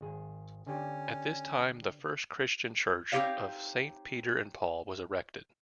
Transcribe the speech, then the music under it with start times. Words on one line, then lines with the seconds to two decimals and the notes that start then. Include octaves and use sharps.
At this time the first Christian church of Saint Peter and Paul was erected.
0.01 G#1 G#4
0.66 D3 C#4 D4 G4
3.12 C4 D#4 F#4 G4 C#5 F5